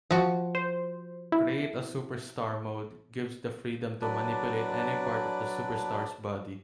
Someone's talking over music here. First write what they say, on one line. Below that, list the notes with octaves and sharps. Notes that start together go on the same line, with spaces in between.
"Create-A-Superstar mode" gives the freedom to manipulate any part of the superstar's body.
F3 F#4
C5
E4
F#3 D4 B4 D5